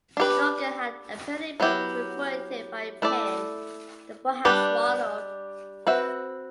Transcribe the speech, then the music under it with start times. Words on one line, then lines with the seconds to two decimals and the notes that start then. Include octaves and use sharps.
The organ had apparently been perforated by a pin the boy had swallowed.
0.17 D4 G4 B4
1.60 F#3 B3 E4 G4
3.02 A3 E4 A4 D5
4.45 G3 D4 G4 B4
5.87 C4 F#4 B4 E5